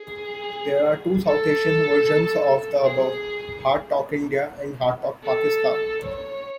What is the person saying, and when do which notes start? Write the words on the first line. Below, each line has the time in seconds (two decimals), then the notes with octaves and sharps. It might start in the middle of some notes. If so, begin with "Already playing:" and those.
There are two South Asian versions of the above: "Hardtalk India" and "Hardtalk Pakistan".
Already playing: G#4
1.25 A4
2.83 G#4
5.22 A4
6.01 C#5